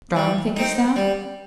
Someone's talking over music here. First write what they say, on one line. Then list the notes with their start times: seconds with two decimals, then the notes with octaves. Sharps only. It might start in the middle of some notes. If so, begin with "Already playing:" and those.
"Strong, thinkest thou?"
0.16 G3
0.56 C4 D#4
0.96 G3